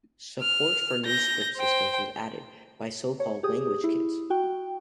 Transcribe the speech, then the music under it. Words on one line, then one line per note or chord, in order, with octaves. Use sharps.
Support for new script systems was added by so-called Language Kits.
F6
G6 A#6
C5 G5
C#5
G4 G#4 D#6
E4
F#4 G5